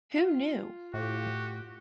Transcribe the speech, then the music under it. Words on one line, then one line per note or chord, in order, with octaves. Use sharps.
Who knew?
F4
A2 F#4 G4